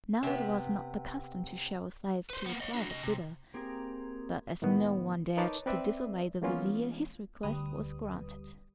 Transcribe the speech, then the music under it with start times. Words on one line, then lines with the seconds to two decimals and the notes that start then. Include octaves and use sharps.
Now it was not the custom to show a slave to a private bidder, but as no one dared to disobey the vizir his request was granted.
0.23 C3 B3
2.30 B4 C5
2.46 A#3 B3
2.61 C#5 D#5
2.74 D4 F#4
2.90 C3 D#5
3.03 C3
3.54 A#3 C4 G4 G#4 A#5
4.62 A2 D#3 A3 B3
5.37 D#4 A#4 B4 C#5 A5 D6
5.66 C4 B4 D5 E5
6.42 E3 G#3 A#3 B3 C#4 F4
7.43 D2 G3 B4 D#6